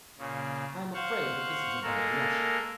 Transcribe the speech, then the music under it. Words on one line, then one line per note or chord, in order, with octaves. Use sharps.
I am afraid that this is a digression.
A#2 C#3
C5 F5 F#5 C#6
G#3 A#3 A4 A#4